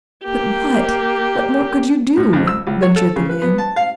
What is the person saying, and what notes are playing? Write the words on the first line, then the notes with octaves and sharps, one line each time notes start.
"But what--what more could you do?" ventured the man.
A#3 G4
A2
F2
E6
C#2
C#5
A4
C#3
B4
B3
A5
F5